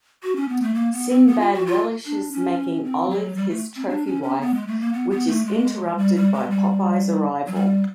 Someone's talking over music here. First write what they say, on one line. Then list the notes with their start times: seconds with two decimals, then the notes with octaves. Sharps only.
Sinbad relishes making Olive his trophy wife, which is interrupted by Popeye's arrival.
0.23 F#4
0.36 C#4
0.49 B3
0.62 A3
0.74 A#3
0.92 B3
1.09 C4
1.27 B3
1.40 F4
1.53 F#4
1.66 F4
2.06 D4
2.32 C#4
2.84 C4
3.10 F#3
3.36 G3
3.50 A3
3.76 C4
3.89 D4
4.06 C#4
4.23 C#4
4.41 B3
4.54 G#3
4.67 A3
4.80 A#3
4.93 B3
5.10 B3
5.28 A3
5.45 G#3
5.98 G3
6.15 G3
6.33 G#3
6.50 G3
7.47 F#3
7.54 G3